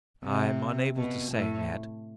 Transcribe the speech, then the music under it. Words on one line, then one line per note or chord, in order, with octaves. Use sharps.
"I'm unable to say, Ned."
C3
B2
A2